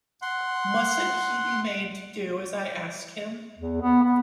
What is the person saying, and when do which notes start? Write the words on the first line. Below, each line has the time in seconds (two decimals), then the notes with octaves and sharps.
Mustn’t he be made to do as I ask him?
0.22 F#5 C6
3.58 E2
3.81 B3
4.03 B3